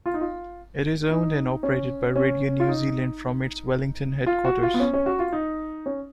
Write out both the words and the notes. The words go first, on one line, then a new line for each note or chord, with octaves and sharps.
It is owned and operated by Radio New Zealand from its Wellington headquarters.
F4
D#4
F4
D#4
C#4
C#4
F4
D#4
F4
F#4
F4
B3
C#4
C#4
F#4
F4
D#4
C#4